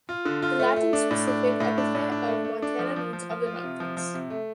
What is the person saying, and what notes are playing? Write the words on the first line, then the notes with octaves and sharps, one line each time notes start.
The Latin specific epithet of "montana" means "of the mountains".
F4
D3
F4
A3
A3
D4
A2
D4
A3
A2
D4
A2
D4
A3
A3
D4
F3
F3
F3
F3
F4
C3
F3
F3
C3
A3